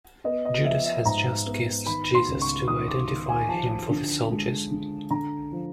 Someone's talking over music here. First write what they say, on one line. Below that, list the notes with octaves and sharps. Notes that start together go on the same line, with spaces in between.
Judas has just kissed Jesus to identify him for the soldiers.
B3 D#5
D#5
F3 E5
E5
G#2 A#5
B3
D#3 B5
C6
C#2
C#6
D#3 D#6
D6
D#3
G#5
F3 A5
D3
G#3
D3
D3 A#5
F3